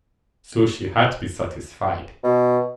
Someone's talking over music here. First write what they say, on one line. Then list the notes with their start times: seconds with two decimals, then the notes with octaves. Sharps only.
So she had to be satisfied.
2.24 B2